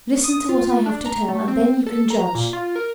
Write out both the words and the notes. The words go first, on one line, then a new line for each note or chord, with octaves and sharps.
Listen to what I have to tell and then you can judge.
D#6
F4
D4
A#5
A3
C4
A4
A#5
A#2
F4
A#4